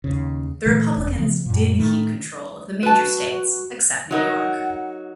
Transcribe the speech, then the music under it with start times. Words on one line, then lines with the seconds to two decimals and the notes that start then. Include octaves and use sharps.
The Republicans did keep control of the major states except New York.
0.04 D#2 C#3
0.66 A#2 D3 E3 A3
0.96 E1
1.18 C#3 F3 F#3 B3
1.46 F#2 A#2
1.78 A2 D#3 A3
2.83 F#4 B4 A5
4.11 F#3 D#4 A#4 F#5